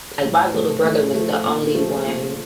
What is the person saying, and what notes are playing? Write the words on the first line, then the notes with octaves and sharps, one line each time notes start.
like, my little brother was the only one
A2
F3 A3
A2
F3 A3
A#2
F3 A3
A#2